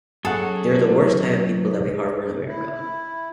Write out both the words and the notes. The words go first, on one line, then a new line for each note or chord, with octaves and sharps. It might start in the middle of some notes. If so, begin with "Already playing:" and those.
They're the worst type of people that we harbor in America.
F#2 F#3 G#4 A4 C#5 F#5
E4
E4